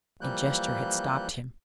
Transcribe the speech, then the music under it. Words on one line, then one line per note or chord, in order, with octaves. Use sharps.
A gesture had stopped him.
E3 F3 G3 A#3 F#6 G6